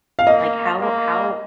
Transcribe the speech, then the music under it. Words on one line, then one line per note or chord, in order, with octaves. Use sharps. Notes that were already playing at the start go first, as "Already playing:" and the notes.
Like, how how
F5
A#3 D#5
A#3